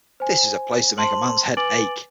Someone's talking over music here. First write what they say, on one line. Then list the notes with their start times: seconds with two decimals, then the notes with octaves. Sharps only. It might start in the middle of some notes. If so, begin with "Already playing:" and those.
This is a place to make a man's head ache!
0.20 C5 G#5
0.98 C5 A5 C6 F#7
1.57 B4 G#5 D6 A6 D7 F#7